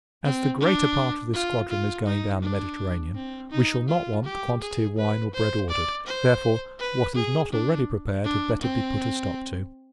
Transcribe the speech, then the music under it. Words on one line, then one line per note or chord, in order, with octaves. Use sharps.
As the greater part of this squadron is going down the Mediterranean, we shall not want the quantity of wine or bread ordered; therefore, what is not already prepared had better be put a stop to.
C4
D4
F4
F4
D#4
D4
C4
D#4
F4
G4
G#4
B4
C5
D5
C5
B4
G#4
D4
D4
C4